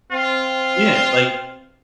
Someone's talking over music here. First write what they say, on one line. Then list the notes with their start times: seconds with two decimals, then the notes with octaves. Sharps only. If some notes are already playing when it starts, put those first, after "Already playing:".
Yeah, like
0.12 C4 F4